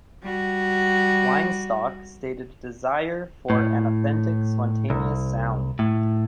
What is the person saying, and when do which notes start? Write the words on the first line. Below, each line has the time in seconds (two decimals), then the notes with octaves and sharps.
Weinstock stated a desire for an authentic, spontaneous sound.
0.22 G3 F#4
3.50 A2
4.90 C2
5.79 A2